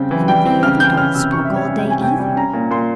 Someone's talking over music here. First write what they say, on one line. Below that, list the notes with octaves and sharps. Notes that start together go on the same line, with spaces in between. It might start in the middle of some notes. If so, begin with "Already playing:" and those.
None of the other dolls spoke all day, either.
Already playing: C#3 G3 C4 G5
E3
G3 G5
C4
C#3 F6
E3 G6
C#4 F6
C3 E6
C3 C#6
E5
G3
C#5
C#4 E5
G5
C3
G#5
C3 G5
G3
C#4 A#5
A#2
A#2 C6